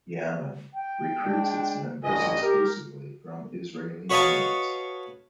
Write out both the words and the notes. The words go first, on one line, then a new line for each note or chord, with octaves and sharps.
Yamam recruits its members exclusively from Israeli units.
G5
G#3 D4
A1 G2 D#5 G#5
G4 A#4
F#4 B4 C#5 D#5 F5 A5